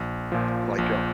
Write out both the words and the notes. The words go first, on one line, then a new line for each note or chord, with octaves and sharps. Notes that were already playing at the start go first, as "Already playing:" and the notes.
Like, uh
Already playing: A#1
A#2 F3
A#1